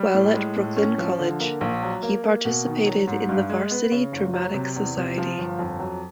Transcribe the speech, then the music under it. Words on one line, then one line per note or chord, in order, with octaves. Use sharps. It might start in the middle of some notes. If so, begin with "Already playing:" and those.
While at Brooklyn College, he participated in the Varsity Dramatic Society.
Already playing: G3
A2
G#3
A2
C#4
F3
D3
A#3
A#1
F#3
A#3
A#3
B2
D#3
F#3
G#2
G2
G#3
B3
C#3
F#1
F#3
C3
E2
C3
F3
G1
F2
F#3